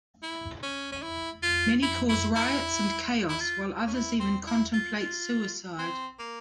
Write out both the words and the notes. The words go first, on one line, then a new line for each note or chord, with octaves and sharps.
Many cause riots and chaos, while others even contemplate suicide.
E4
C#4
C#4
E4
F4
E4
E4
E4
E4
F4
C#4
E4
C4
E4
F4
F4
C4
A#3